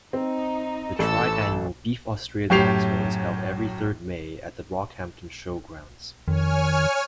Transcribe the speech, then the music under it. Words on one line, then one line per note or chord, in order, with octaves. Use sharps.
The tri-annual Beef Australia Expo is held every third May at the Rockhampton Showgrounds.
C4 D#4
A1 A4 E6
F#2 A2 G4 C7 F7
F2 D#3 C#5 G#5 F6